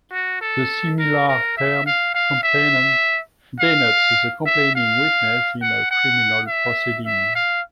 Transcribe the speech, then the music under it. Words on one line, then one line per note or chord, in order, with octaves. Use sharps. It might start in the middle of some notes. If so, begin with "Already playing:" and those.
The similar term "complainant" denotes the complaining witness in a criminal proceeding.
F#4
A4
A#4
A#4
E5
F5
F5
E5
F5
E5
F5
F#5
F#5
E5
E5
F5